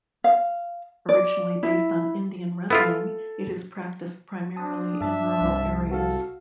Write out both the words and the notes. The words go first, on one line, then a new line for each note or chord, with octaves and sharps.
Originally based on Indian wrestling, it is practiced primarily in rural areas.
F5
D5
E4
B3 E4 F4 A4
C4 D4 A5 D#6
G2 E5 A5 A6
C2
F#4 A4 F5